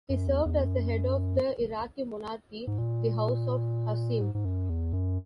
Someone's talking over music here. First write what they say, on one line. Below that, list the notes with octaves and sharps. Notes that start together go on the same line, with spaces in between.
He served as the head of the Iraqi monarchy-the House of Hashim.
F#2
E2
E2
F#2
G#2
A#2
G#2
G#2
F#2
E2
F#2